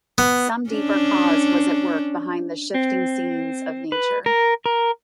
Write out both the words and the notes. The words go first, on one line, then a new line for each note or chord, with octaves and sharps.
Some deeper cause was at work behind the shifting scenes of nature.
B3
C#4 D4
C4
B4
A#4
A#4